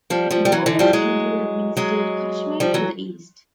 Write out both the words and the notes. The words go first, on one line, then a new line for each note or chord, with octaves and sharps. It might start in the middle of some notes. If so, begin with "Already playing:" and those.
It borders Indian-administered Kashmir to the east.
F3 G3
F3 G3
G3
E3 F#3
D3 E3
F3 G3
F#3 G#3
F#3 G#3
F3 G3
E3 F#3